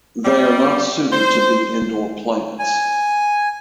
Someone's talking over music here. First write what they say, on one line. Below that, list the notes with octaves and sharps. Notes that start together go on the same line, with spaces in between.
They are not suited to be indoor plants.
G3
C5
G#5